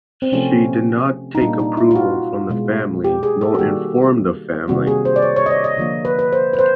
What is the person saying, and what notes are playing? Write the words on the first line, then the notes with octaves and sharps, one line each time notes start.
She did not take approval from the family nor informed the family.
C4
C3 F3 A3 C#4
D#4
A#2 G3 A#3 D4
D#4
E4
F4
F#4
B2 G#3
G4
G#4
A4
F#4
D#3 G3 A#3 G4
C3 D#3 G3 A#3 F#4
G#4
C5
D5
C#5
C#5
D#5
D5
D#5
D3 F3 A#3
B4
B4
C5
B4
C5